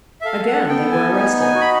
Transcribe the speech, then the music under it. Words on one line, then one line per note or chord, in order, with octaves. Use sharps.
Again they were arrested.
E5
A4 F5
F#5
B3 G5
G#5
D#4 G#5
G#5
F#4
B5